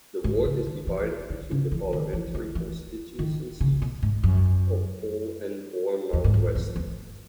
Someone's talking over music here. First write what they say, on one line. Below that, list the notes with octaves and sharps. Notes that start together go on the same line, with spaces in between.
The ward is divided between the parliamentary constituencies of Poole and Bournemouth West.
G#2
C#3
D#3
E3
D#3
C#3
E3
D#3
E3
D#3
E3
D#3
C#3
B2
G#2
F#2
E2
G#2
F#2
E2
E2